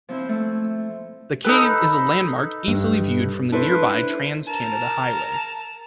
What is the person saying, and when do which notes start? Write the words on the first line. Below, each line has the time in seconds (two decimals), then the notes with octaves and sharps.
The cave is a landmark easily viewed from the nearby Trans-Canada Highway.
0.09 F3 C4 E4 C5
0.29 A3
1.44 D#4 A4 B4
2.68 G2
3.52 D4 E4 A4 B4 C5
4.48 A#4 A5